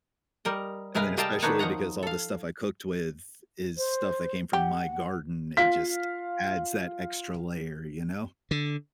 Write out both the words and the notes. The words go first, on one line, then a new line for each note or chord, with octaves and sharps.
And then especially because all the stuff I cooked with is stuff that came from my garden, it just adds that extra layer, you know?
G3 A#4 D#5
C3 G#3 A#4 B4 F5
G3 A#4 D#5 F5 G5 A5
D#3 B3 D4 D#4 B4 C#5
F3 D#5 F#5 A#5
A4 F5
C5
G4 F#5
F4 F5 B6
D3